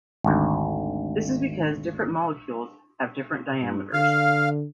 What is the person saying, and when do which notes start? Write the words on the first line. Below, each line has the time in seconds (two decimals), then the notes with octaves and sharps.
This is because different molecules have different diameters.
0.24 G#1 D2
3.62 G2
3.93 D3 F5